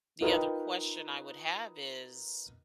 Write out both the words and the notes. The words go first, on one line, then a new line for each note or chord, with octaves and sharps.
the other question I would have is
D#4 F4 A#4 B4 D#5 G5